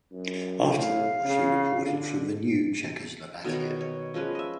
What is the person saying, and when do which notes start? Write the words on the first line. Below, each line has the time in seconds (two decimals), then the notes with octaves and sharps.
After the war she reported from the new Czechoslovakia.
0.12 F#2
0.76 A2 F5
1.24 C#3
1.82 D3
3.44 B2 D#3 A#4 C#5
3.81 C#5
4.14 F3 G#3 C#4 B4
4.35 D#5 E5